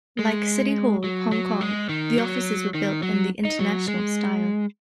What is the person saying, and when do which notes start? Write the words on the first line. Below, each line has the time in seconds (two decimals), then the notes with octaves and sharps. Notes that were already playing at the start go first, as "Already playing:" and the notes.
Like City Hall, Hong Kong, the offices were built in the International style.
0.19 G#3
1.04 F#3
1.32 F#3
1.61 G#3
1.89 D#3
2.18 F#3
2.74 D#3
3.03 F#3
3.45 D#4
3.59 F#3
3.88 G#3